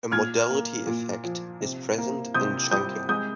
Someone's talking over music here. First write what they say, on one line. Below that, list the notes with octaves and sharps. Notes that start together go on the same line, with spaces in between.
A modality effect is present in chunking.
A#2 F6 G#6
A#3
A#2
F3
C3
A#3
C3 D#6 G6
G3 D#6 G6
G#3 D#6 G6